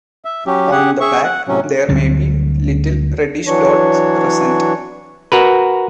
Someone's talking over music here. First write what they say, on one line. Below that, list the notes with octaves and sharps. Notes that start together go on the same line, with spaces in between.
On the back there may be little reddish dots present.
E5
F#3 C#4 G4
G4 G#4 F#5
G#4 E5 C#6
F#5
A2 C3 F#3 C#4
D2 D3 F#3 G3
E3 F#3 D4 C#5
F#4 A#4 B4